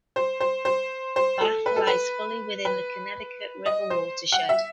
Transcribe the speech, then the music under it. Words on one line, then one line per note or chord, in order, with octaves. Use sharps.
Bath lies fully within the Connecticut River watershed.
C5
C5
C5
C5
A4
B4
A4
B4
B4
D#5
C5
F#5
E5